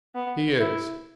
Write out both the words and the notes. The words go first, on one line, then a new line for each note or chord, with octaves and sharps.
"He is."
B3
E4